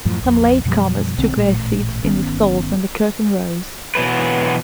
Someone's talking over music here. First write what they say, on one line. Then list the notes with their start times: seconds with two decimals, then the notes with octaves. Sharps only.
Some latecomers took their seats in the stalls, and the curtain rose.
0.05 F#2 A2 F3
0.21 A#1 F2
0.65 F#2 B2 F3 G3
1.18 B1 D3 C4
1.36 A1 A#2 A3
2.04 G1 D#3 B3 C#4
3.95 B2 E3 F#3 B4